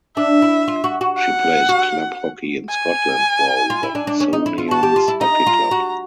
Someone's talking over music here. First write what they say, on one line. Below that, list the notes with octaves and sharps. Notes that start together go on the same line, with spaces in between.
She plays club hockey in Scotland for Watsonians Hockey Club.
D4 E5
E4
F4
F#4
F#4
F#5
F#4
G#5
F4
E4
D4
D4
C#4
D#4
E4
F4
F#4 A5
G4
F4
E4
D#4 A#5
F4
F#4